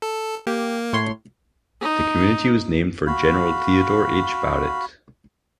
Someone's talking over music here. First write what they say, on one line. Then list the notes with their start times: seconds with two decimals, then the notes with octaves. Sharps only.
The community was named for General Theodore H. Barrett.
0.02 A4
0.47 A#3 G4
0.93 A2 C#5 C6
1.82 D#4
3.07 F#4 F5 B5